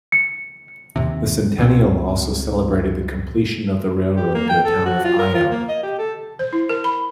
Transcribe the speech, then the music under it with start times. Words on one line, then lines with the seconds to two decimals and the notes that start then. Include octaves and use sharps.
The centennial also celebrated the completion of the railroad to the town of Ione.
0.12 C#7
0.96 D#2 C3
1.58 C#2 C4
4.16 G4
4.35 A#3
4.49 G5
4.64 A4
4.86 F#4
5.04 F4
5.19 A#4
5.34 F4
5.50 A#3
5.68 D#5
5.83 G4
5.98 A4
6.39 C5
6.53 E4
6.69 A#4
6.84 B5